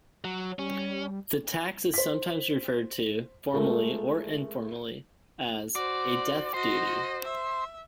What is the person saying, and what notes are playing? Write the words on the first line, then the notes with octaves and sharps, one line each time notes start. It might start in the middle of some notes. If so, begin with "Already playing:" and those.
The tax is sometimes referred to, formally or informally, as a "death duty".
F#3
G3 C#4
C5 B6
G#3 A3 F4 A#4
F#4 C5 D5
F#4 C5 D#5
E5